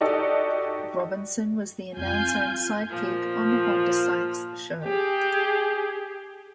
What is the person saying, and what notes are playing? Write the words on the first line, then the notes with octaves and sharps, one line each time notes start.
Robinson was the announcer and sidekick on "The Wanda Sykes Show".
D#4 F#4 G4 A4 D5 D#5
F2 E4 F4 G#5 G6
A#2 F3
G4 G#4